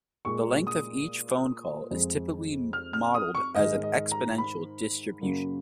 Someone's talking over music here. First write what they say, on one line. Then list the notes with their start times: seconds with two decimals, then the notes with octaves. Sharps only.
The length of each phone call is typically modelled as an exponential distribution.
0.25 A#2 G#3 C#6
0.67 D#6
1.91 F2 F3 G#3
2.73 F6
2.93 F6
3.14 D#6
3.35 C#6
3.55 G#2 D#3 G#3 D#5
3.83 D#5
4.12 A#5
4.38 B5
5.21 F#2 C#3 F#3 A#3